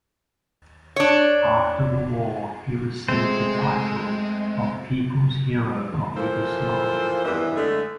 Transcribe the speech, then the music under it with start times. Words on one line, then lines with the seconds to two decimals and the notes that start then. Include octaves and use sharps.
After the war he received the title of People's Hero of Yugoslavia.
0.96 D4 C#5
3.08 G#3 A3 C4 C5
6.16 E3 F3 A#3 A4 C5
7.24 E2 G2 C3 D#3 E3
7.56 D3 G#3 A3